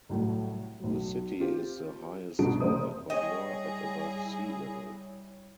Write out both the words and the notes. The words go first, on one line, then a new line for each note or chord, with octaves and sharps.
The city is the highest in Ecuador, at above sea level.
C2 A2 F#3
B1 F#3
C4 F4 G4
C2 G2 B2 F3 D7
F#1 C3 C5 D#6
G3 E4 G#4 C#5 D#5 G5 A#6